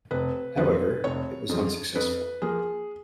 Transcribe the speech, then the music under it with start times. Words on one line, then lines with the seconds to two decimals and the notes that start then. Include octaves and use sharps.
However, it was unsuccessful.
0.11 F1 B4
0.57 F2 C#3 F3 B4
1.04 F1 C#5
1.49 F2 C#3 F3
1.95 F2 B4
2.42 F3 A#3 G#4